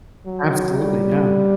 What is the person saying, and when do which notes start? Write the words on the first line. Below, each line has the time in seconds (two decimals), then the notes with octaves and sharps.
Absolutely, yeah.
0.26 F#3
0.76 G3